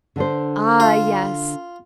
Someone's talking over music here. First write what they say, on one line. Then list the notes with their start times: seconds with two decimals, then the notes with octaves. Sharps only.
Ah, yes.
0.16 D3 D4 C5
0.80 F4